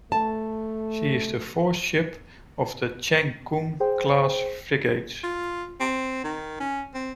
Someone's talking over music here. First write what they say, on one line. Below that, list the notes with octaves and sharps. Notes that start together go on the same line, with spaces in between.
She is the fourth ship of the "Cheng Kung"-class frigates.
A3 A5
G#4 C5 G5
F4
C4
D#3
C#4
C4